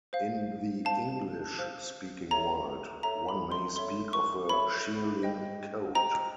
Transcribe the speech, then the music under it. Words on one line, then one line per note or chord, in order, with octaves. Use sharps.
In the English-speaking world, one may speak of a shearling coat.
C5 F5
C5 F5 A5
C5 F5
A4 C#5 E5 A#5
A4 C#5 E5 A#5
B5
C6
A4 C#5 E5 C6
C#6
A4 C#5 E5 B5
C5 D#5 G5
C5 D#5 G5 A#5